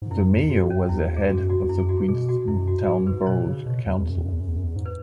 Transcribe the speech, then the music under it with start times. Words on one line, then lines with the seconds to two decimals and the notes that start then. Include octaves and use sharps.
The mayor was the head of the Queenstown Borough Council.
0.02 G#2
0.11 F#2 E4
0.44 E2
0.50 F#2 F#4
0.69 F#2 C#4
0.89 E2 E4
1.17 G#4
1.29 F#2 F#4
1.49 F#4
1.64 E2
1.68 F#2 E4
1.79 G#4
1.89 F#4
2.08 B2 G#4
2.29 F#4
2.48 F#2 E4
2.68 F#4
2.84 F#4
2.87 G#2 G#4
3.00 F#2
3.07 B4
3.12 G#2
3.27 B2 C#5
3.47 C#3
3.66 B2
3.86 E2
3.94 F#2
4.01 E2
4.10 F#2
4.17 E2
4.25 F#2
4.32 E2
4.40 F#2
4.48 E2
4.56 F#2
4.63 E2
4.76 G#2
4.86 B4